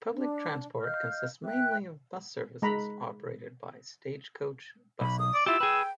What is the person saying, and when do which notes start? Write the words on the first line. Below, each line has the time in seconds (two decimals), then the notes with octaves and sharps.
Public transport consists mainly of bus services operated by Stagecoach Buses.
0.13 D4
0.81 D#5 F5 F6 G6
1.45 E5 G5 F#6
2.62 G#3 A#5 B5
5.01 B1 B5
5.19 D#6
5.34 D5
5.46 E4 F4 G4 E6
5.60 G#4 B4 G5